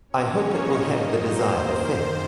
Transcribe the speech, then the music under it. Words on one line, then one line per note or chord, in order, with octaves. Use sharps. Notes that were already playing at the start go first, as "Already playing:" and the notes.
I hope it will have the desired effect.
A#2 F#3 A#3 C#4 C#5
D#4 D#5
C3 F#3 A#3
C5
F#2 D#3 A#3
C5